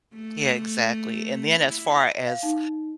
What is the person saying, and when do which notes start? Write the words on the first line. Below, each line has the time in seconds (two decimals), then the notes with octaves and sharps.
Yeah, exactly, and then as far as,
0.14 A3
1.58 E4
2.27 F5
2.43 D#4